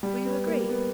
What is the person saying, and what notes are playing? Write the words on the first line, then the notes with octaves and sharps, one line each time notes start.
Will you agree?
G3
B3
A#3
B3